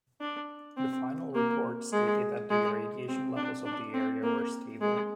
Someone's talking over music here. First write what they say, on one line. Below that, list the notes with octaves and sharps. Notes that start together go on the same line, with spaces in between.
The final report stated that the radiation levels of the area were stable.
D4
C4
A#3
G#3
G#3
C4
D4
D4
C4
A#3
G#3